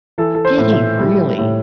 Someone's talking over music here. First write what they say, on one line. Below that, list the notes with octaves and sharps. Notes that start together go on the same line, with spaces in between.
Did he really?
E3 A4
A4
C5
A2
E5
G3
A2